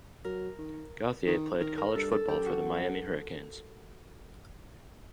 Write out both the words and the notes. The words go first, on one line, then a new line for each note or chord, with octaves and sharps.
Gauthier played college football for the Miami Hurricanes.
F#3 A#4
D#3
D#3
D#3 A#4
A#4
G2 A4
A4
F#2 G4
F#4